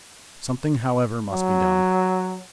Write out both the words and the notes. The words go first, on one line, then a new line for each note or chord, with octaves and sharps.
Something, however, must be done.
F#3